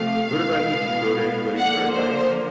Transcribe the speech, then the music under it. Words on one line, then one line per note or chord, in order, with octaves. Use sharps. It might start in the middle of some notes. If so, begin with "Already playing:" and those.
what about you? Do you go to anybody for advice?
Already playing: C3 F3 A3 F5
B2 G#3 B3
D3 F3 A#3 F#5
C5